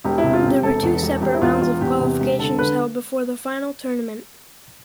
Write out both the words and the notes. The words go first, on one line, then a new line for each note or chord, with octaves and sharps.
There were two separate rounds of qualifications held before the Final Tournament.
E1 G4
E4
C3
F4
C3 G4
E1 A4
E2
E1
E1 G4
E4
E2 F4
E1 F4
E2 G4
C3
E1
D3 A4
D3 B4